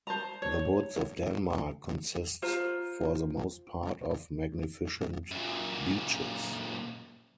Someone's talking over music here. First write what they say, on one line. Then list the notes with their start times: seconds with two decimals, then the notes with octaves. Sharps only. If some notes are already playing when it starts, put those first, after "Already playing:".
The woods of Denmark consist for the most part of magnificent beeches.
0.07 C5 A5 A#5
0.42 C#5
2.42 F4 C5 A#5
5.31 F#2 A#2